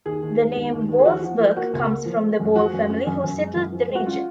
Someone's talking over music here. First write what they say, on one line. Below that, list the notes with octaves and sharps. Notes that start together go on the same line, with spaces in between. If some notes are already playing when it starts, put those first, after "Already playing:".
The name "Boalsburg" comes from the Boal family who settled the region.
D#2 G#4
D#2
G#3
D#2
D#2
D#2
G#4
F3 F#4
F3
F3
A#3 F#4
C#2
A#3
F3
G#3
F#2
F3 F#4
F#2
C#4
F#2
F#2
G#3
F#2
F3
G#3
F#4
C#4 F4